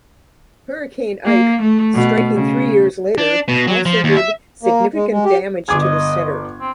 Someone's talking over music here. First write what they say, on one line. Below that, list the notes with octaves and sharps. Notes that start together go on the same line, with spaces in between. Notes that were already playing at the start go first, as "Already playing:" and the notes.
Hurricane Ike, striking three years later, also did significant damage to the Center.
A#3
A3
B2
C#3
D4
B2
F#3
F3
D#2
E5
A#3
G#3
G#3
G4
G1 G#4 D6 G#6
D#5
C4